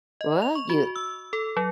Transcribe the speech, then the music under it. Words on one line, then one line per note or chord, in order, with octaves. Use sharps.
Well, you
D#5
F7
C#6
F#4
E6
A4
F#3